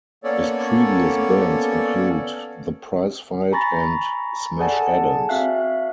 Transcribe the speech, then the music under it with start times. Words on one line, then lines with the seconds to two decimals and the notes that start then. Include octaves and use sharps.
His previous bands include The Prize Fight and Smash Adams.
0.24 A#3 B3 C#4 A4 C#5 D5
3.52 G#5 A#5 B5 C#6 A6 A#6
4.59 G#4 A4 D5 F#5 G#5 A5
5.29 C4 F#4 E5 F5 F#6